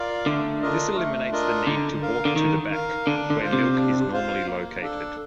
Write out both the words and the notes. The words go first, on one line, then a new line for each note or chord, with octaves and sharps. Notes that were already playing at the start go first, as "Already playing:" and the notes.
This eliminates the need to walk to the back, where milk is normally located.
Already playing: F4 A#4 D5 F5
D3 A3
D4 F4 A#4 D#5
A3
D4 F4 A#4 D#5
D3 D#4
A#4 F5
D3
D#3 D#4
A#4 F5
D3 D4
D3
F4 C5 F5
C3
D4
F4 C5 F5
A#3
D4 A4